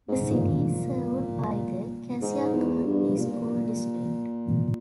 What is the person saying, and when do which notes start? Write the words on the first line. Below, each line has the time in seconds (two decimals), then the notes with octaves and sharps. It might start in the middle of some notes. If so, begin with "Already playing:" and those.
The city is served by the Cassia County School District.
0.08 G#2
0.32 A#2
2.22 G#2
2.53 E2
2.85 G2
3.17 A#2